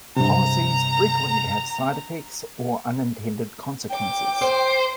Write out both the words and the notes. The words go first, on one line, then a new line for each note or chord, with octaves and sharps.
Policies frequently have side effects or unintended consequences.
G2 C3 A#5
G5 D6
C5